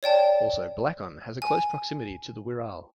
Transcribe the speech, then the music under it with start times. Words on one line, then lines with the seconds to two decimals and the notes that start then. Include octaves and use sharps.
Also Blacon has a close proximity to the Wirral.
0.03 C#5 D5 G5 A5
1.42 G#5